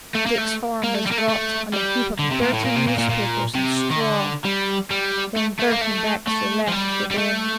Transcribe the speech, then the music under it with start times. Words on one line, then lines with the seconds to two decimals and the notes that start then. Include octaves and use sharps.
Dick's form was dropped on a heap of dirty newspapers and straw. Then Girk and Baxter left the bin.
0.15 A3
0.26 A#3
0.38 A3
0.83 A#3
0.94 A3
1.06 G3
1.11 A#3
1.17 A3
1.28 A3
1.73 G3
2.19 D3
2.31 C3
2.42 A#2
2.53 A2
2.64 A#2
2.76 C3
2.87 A#2
2.98 A#2
3.10 A#2
3.55 C3
3.91 D#3
4.00 D3
4.45 G3
4.91 G3
5.37 A3
5.60 A3
5.71 A#3
5.81 A3
6.27 A3
6.68 F3
6.72 G3
7.11 G3
7.18 A3